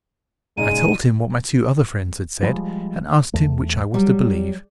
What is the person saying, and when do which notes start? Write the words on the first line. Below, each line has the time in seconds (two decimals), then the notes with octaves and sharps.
I told him what my two other friends had said, and asked him which I was to believe.
0.57 A#2 C#3 G#3 D#4 D#7
2.43 F3 G3 G#3
3.33 E2 A3
3.94 F#3 G3